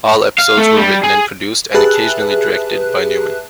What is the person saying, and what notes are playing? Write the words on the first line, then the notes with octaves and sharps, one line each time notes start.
All episodes were written and produced, and occasionally directed, by Newman.
F5
A3
G3
G#4
G4 G#4 B4 E5 A5 F#6